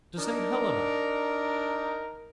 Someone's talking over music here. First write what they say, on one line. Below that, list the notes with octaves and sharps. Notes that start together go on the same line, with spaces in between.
"To Saint Helena."
D4 D#4 A#4